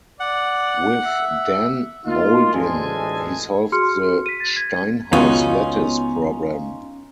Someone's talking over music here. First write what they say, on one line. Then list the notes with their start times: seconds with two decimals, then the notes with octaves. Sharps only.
With Dan Mauldin he solved the Steinhaus lattice problem.
0.20 D5 F#5
1.06 E5
2.06 A#3 D#4 F4
2.53 A1 D2 G#3 A4 G#5
3.72 F#4 G#4 C6 F6 C#7
4.26 B6 D#7
4.40 A6
4.57 G#6
5.13 C#2 B3 C#4 D#4 F4 F#4 C#5